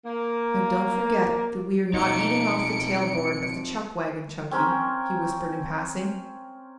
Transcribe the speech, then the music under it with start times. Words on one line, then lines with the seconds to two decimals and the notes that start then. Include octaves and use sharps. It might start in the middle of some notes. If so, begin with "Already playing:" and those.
"Now, don't forget that we are not eating off the tail board of the chuck wagon, Chunky," he whispered in passing.
0.06 A#3
1.94 F2 B2 G#3 C#4 D#4 C#7 D7
4.51 C4 C#4 A#4 C5